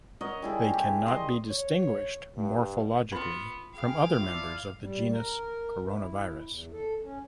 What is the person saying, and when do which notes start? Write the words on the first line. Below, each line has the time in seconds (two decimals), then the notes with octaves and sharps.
They cannot be distinguished morphologically from other members of the genus "Coronavirus".
0.21 A#4 C#5 D#5 F#5
0.42 G3 E4 G#4
0.73 E4 G4
1.07 D#5 C6
1.50 C#5
2.36 G2
3.12 B3 F4 B5
3.75 G#4 F5 G5
4.18 D4 E4 F4
4.80 G3
5.12 A#4
5.84 E4
6.46 E2
6.72 A4
7.02 C#4